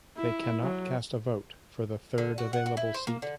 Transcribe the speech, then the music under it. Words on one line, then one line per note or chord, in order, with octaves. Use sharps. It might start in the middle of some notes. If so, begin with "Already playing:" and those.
They cannot cast a vote for the third available seat.
E4
F#3
D3
F#4
F#5
F#4
E4
C5
A#3
D3